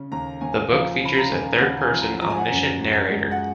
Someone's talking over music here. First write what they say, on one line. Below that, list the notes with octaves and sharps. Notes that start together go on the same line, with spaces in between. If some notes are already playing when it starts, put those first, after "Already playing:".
The book features a third-person omniscient narrator.
Already playing: C#3
D#2 A#5
D#2 G#5
F3 F5
C#3 B5
A#5
D#2 G#5
D#2 F#5
G#5
F3
A#5
F3 A#5
G#5
F#5
F#2 G#5
F#2
G#3
F#5